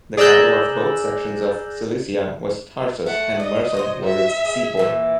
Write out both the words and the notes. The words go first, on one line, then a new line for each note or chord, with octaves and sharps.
The capital of both sections of Cilicia was Tarsus and Mersin was its seaport.
G#4 D5 A#5 E6 F#6 G6
A3 F#5
D5 D#5
F#3 F#4 C5
E5
G#4
A#2 E3 A#3